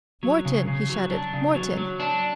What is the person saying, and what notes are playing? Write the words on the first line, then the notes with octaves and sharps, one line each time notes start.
"Morton!" he shouted; "Morton!"
F#3
C#3
C#3
F#3
D4
C#3
F#3
F#3
D4